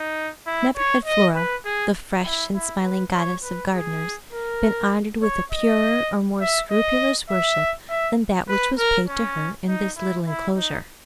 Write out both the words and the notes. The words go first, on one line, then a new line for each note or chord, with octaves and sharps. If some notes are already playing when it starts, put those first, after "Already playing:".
Never had Flora, the fresh and smiling goddess of gardeners, been honored with a purer or more scrupulous worship than that which was paid to her in this little enclosure.
Already playing: D#4
E4
C#5
D#5
B4
G#4
E4
E4
B4
C#5
B4
G#4
A#4
C#5
D#5
E5
D#5
E5
E5
B4
A#4
C#4
D#4
E4
E4
D#4